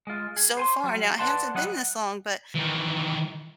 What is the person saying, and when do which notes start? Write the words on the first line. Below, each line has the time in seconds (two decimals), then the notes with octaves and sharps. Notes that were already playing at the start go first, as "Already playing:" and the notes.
so far. Now it hasn't been this long, but
0.07 G#3 F4
0.37 G#4
0.57 C5 G#5 C6
0.84 F#3 G3
1.19 B4 C5 D5 F#5 A5 C6
1.55 F#3 G3 D#5 F#5
2.55 D#3 E3